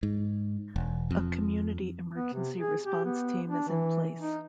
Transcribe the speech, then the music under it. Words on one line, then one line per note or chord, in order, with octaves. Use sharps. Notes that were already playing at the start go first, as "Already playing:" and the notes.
A Community Emergency Response Team is in place.
G#2
E1
F2
B3
C3
G#4
G4
B3
D4
E3
D#4